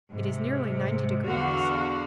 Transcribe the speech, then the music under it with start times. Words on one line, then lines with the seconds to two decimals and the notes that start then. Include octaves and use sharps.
It is nearly ninety degrees.
0.13 G#2 C3
1.25 E2 D3 F#4 D5 F5